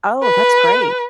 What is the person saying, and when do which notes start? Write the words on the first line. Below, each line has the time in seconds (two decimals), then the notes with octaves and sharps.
Oh, that's great.
0.23 B4